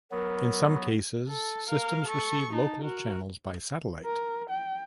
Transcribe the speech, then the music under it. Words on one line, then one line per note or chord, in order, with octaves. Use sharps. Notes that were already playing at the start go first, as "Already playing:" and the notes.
In some cases systems receive local channels by satellite.
F#3 B3 A#4
A4
A#4 F5
A4 C#6
D#4 A5
F#4 A#4
A#4
G5